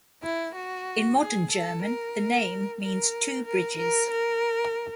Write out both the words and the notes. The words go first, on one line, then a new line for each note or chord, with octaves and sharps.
In modern German the name means two-bridges.
E4
F#4
G#4
A4
A#4
A#4
A#4
A#4
A#4